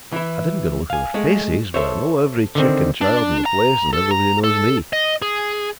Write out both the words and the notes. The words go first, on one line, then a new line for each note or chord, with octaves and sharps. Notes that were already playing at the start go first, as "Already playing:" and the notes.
I didn't get a look at their faces, but I know every chick and child in the place, and everybody knows me.
E3 E4
F5 G#5
G#3 A3
A4 C5 C#5 E5
D3 D#3 C4
D4
A#5
A4
A#5
A4
D#5
G#4